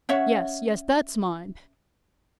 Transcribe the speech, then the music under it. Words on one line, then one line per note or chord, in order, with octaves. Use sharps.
Yes, yes; that's mine.
C#4 C#5 E5 F#5